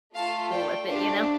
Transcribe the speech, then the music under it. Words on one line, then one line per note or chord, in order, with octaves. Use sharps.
full with it, you know?
A3 F4 A4 F5 A5
D5 G5
A3 D4 G4 C5 F5